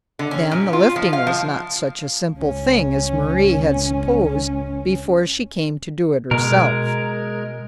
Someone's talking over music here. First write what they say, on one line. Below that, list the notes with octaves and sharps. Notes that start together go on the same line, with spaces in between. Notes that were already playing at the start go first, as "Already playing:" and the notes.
Then the lifting was not such a simple thing as Mari had supposed before she came to do it herself.
D3
C#4
A#2
F4
F3
F5
F3
C#2 C#4
B2 G#3 A#4